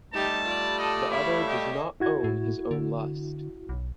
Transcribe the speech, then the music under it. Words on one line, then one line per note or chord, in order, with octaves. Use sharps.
The other does not own his own lust.
G3 A3 D#4 G4 A5
F4 D5
A4 D#5 A5
E4 C#5 E5 F5
G4 D#5
E4 F#4 G#6
A2
D3
B1